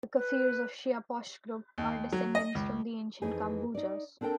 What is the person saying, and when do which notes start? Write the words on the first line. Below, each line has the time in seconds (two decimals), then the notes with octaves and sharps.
The Kafirs of Siah-Posh groups are descended from the ancient Kambojas.
0.14 B4
1.78 D#2
2.12 F#3
2.35 D#5
2.55 C#2
3.22 F2 E3 D#4 G#4
3.75 D#4 D5
4.21 C4 D4 A4 A#4 G5